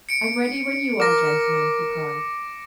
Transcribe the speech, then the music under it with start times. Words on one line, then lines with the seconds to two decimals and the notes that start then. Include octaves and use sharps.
"I'm ready when you are, gentlemen," he cried.
0.09 C#7 D7
1.00 A#4 D6 A#6